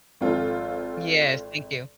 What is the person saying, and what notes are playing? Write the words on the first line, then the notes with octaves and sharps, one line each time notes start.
Yes. Thank you.
G#1 F2 C4 F4 A4